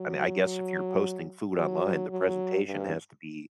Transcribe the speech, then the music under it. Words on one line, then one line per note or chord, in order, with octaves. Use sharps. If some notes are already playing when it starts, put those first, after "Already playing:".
I mean, I guess if you're posting food online, the presentation has to be,
Already playing: F#3
F#3
F#3
G2